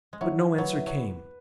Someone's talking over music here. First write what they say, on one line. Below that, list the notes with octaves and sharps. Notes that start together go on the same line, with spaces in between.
But no answer came.
G#3
F#3 E4
F#3 B4
F#3